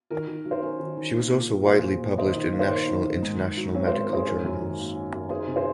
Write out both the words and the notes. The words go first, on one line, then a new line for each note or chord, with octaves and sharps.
She was also widely published in national and international medical journals.
D#3 A#4
D#3
F#3
C5
C#4 A#4
D#3
D#3
A#2
A#2
F#3
A#3 G#4 C5
A#2
A#2
C#5
D#3 C5 D#5
D#3
A#3
C5
D#4 A#4 C#5
D#3
D#3
G#2
G#2
F#3
C4 C#5
G#2 C5
A#4
G#2 G#4 C5
C#4 A#4
F#2
D#3
A#3
C#4
F#2
D#4 G#4 C5
C3
G#4 C5